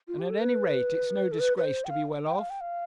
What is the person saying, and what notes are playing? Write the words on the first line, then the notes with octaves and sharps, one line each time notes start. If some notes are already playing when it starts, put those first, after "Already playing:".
'And at any rate, it is no disgrace to be well off.'
F4
G4
A4
B4
A4
B4
B4
C5
G5
F5
G5
F5
G5
F5